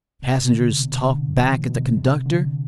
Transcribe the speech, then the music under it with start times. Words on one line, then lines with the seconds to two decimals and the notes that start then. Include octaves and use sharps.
Passengers talk back at the conductor.
0.22 C3
0.52 D3
0.81 B2
1.09 D3
1.39 E3
1.59 A2
1.68 B2
1.97 C3
2.26 D3